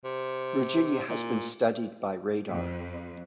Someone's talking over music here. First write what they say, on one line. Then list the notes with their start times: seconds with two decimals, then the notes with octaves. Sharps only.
Virginia has been studied by radar.
0.04 C3
1.09 A#2
2.49 F2